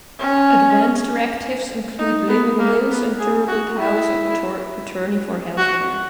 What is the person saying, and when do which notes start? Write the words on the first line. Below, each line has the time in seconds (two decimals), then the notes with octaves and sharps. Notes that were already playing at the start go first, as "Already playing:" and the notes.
Advance directives include living wills and durable powers of attorney for health care.
0.19 C#4
1.99 D#4
2.28 B3
2.58 A#3
2.89 B3
3.18 G#4
3.48 F#4
3.78 E4
5.57 F#4